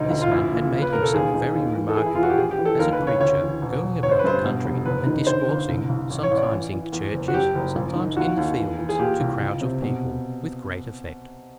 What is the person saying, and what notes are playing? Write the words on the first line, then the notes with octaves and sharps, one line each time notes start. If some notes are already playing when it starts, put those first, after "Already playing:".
This man had made himself very remarkable as a preacher, going about the country and discoursing, sometimes in churches, sometimes in the fields, to crowds of people, with great effect.
Already playing: E1 D2 D#4
D2
F4
A#1 E4
A#2
C#3
B4
E1 A#4
A4
D#2 G#4
D#3
D#2
E3
A4
E3 G#4
E4
E3 F4
F#4
G4
A#1 G#4
G4
E3
A4
D#2 A#4
B4
C#3
C#5
D2 C#5
E3
E1
E1
G1 C#5
C5
B4
G2 C5
B2
F1
F#1 B4
D#3
D3 C5
G1
C2
C2
A1
C#5
A1
D5
E3
E3
E2
F#1
F#4
F#2 G4
F#1
A#1
D#3
D#2 F#4
D#2
E3
E3
G#4
A#2 G4
C2
C#2
C3
B2